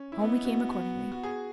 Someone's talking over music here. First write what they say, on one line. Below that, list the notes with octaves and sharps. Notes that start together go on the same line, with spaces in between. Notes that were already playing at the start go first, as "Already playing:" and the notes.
Home we came accordingly.
Already playing: C#4
E4
B3 D#4
F#4
F#4
F#4
G#4